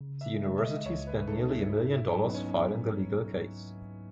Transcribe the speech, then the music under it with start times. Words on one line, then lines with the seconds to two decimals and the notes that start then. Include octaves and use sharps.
The university spent nearly a million dollars fighting the legal case.
0.01 C#3
0.21 E5
0.42 G#3 E5
0.58 E5
0.64 D#5
0.85 C#2 C#5
1.07 B4
1.21 B4
1.27 D#4 A4
1.49 E4
1.70 G#2 E4
1.92 E4
2.13 F#3 D#4
2.29 B3
2.34 C#4